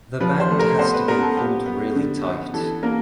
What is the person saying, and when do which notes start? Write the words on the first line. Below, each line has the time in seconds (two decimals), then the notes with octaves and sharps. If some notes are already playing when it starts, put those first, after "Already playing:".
The band has to be pulled really tight.
0.20 F3 B4
0.40 C5
0.50 A3
0.59 A#4
0.79 B3 C5
0.93 B4
1.08 B3 A#4
1.23 A4
1.37 B3 G4
1.66 B3
1.95 D3
2.25 B3
2.53 E3 A4
2.83 A#3 A#4